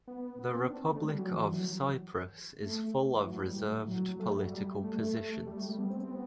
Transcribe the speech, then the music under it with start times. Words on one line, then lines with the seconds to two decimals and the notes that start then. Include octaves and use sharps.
The Republic of Cyprus is full of reserved political positions.
0.07 B3
0.39 B3
0.55 C4
0.70 D4
0.91 A3
1.02 G3
1.18 F#3
1.33 E3
1.50 F#3
2.62 A3
3.14 E3
3.25 F#3
3.40 G3
3.56 A2
3.72 A2
3.88 F#3
4.19 A3
4.30 G3
4.38 F#3
4.47 G3
4.84 A3
4.99 A3
5.46 G3
5.57 A3
5.69 G3
5.78 B3
5.90 C4
6.01 C4
6.11 B3